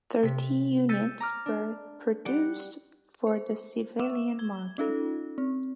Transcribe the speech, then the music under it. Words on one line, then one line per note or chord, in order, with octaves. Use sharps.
Thirty units were produced for the civilian market.
C3 B6
E6 G6 A6 B6 C#7 D#7
A#5 D6 F6
D4
G3 G4 F#5 C#7 D7
C5
E5 C#6 D6 E6 E7
G#6 G7
C#4 D#4 F4 A4
C4